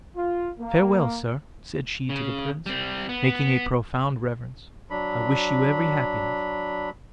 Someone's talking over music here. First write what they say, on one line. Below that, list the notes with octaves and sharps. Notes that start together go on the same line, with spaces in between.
"Farewell, sir," said she to the prince, making a profound reverence, "I wish you every happiness."
F4
A#3
C#3
G3 C4
B3
F#3 D4 B5